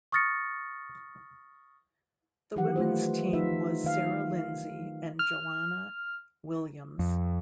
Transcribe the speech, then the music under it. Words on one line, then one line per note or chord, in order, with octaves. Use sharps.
The women's team was Sarah Lindsay and Joanna Williams.
C#6 D#6 F6 A6 A#6 C#7
D#3 E3 F#3 G4 F#5
A3 E4 F4 B4 C5
D#3 D#4 F4 B4 E5
D#3 F5
F6
F2